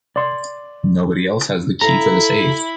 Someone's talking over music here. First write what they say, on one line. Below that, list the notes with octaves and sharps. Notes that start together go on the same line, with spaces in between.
Nobody else has the key for the safe.
D5 C6
E4 A4 F5 A#5